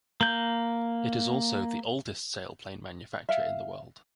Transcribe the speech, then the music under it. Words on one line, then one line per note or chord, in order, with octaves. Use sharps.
It is also the oldest sailplane manufacturer in the world.
A#3 G6
E5 F5